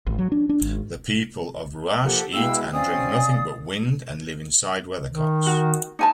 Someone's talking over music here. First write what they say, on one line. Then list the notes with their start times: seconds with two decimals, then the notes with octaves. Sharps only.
The people of Ruach eat and drink nothing but wind, and live inside weathercocks.
0.07 G#1
0.18 F#3
0.32 D4
0.49 D4
0.61 G#1
2.03 F3 A#3 G4 A4 F#5
2.33 B2 G#3 B3 E4 F5 G5 E6
2.73 B1 C4 C#4 D5 D#5 F5 G#5 D#6
5.09 D#3
5.46 F#4
5.99 D#4 G#5 A5